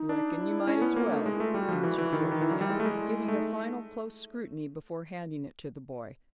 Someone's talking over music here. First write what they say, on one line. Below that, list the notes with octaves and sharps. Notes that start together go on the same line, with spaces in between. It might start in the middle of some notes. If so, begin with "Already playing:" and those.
"Reckon you might as well," answered the old man, giving a final close scrutiny before handing it to the boy.
Already playing: D#4
D4
E4
C#4
B3
A#3 F4
A3 D4
D#4
G#3
E4
A3 F4
G3 F#4
F3
E3
E3
D#3 E4
E3
D#3
E3
F#3
G3
G#3
A3
G#3
A3 D#4